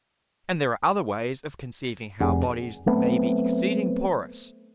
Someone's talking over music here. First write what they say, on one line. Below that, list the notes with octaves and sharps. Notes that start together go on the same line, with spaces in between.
And there are other ways of conceiving how Bodies may be exceeding porous.
F1 G#4 F#5 G#5
F#3 A3 B3 C4